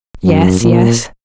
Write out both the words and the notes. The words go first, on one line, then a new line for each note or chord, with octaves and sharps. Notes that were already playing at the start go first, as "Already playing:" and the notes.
"Yes, yes."
F#2
A#2